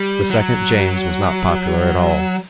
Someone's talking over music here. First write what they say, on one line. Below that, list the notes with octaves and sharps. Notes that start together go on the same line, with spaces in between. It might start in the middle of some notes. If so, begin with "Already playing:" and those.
The second James was not popular at all.
Already playing: G3
F#3